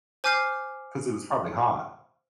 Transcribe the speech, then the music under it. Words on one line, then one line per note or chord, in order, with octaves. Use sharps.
'Cause it was probably hot.
C5 G#5 D6 F6 G6 C7